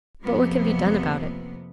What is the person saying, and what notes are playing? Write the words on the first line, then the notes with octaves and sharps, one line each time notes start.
But what can be done about it?
F2 C3 F3 A#3 B3